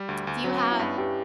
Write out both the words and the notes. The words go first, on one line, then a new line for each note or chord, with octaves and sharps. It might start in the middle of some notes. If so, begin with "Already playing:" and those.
Do you have
Already playing: G3
D2
D2
F#3 C#4
B3
C#4 E4
G2
G2 G4 B4